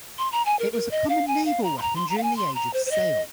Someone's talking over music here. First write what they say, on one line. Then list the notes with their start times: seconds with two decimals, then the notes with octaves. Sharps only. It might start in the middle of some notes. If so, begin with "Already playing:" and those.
It was a common naval weapon during the Age of Sail.
0.18 C6
0.32 A#5
0.46 G#5
0.59 A#4
0.73 A#4
0.91 D#5
1.09 F5
1.28 G#5
1.46 F5
1.64 A#5
1.78 C6
1.82 A#5
1.96 C6
2.10 A#5
2.18 F5
2.23 G#5
2.37 C6
2.55 A#5
2.73 C5
2.86 C5
2.91 D#5